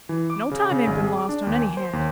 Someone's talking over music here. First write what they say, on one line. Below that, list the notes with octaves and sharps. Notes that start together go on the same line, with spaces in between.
No time ain't been lost, on any hand.
E3
D6
C#3
C#3
G#1
G#4
D6
D4
D#2
G#5
C5
D#2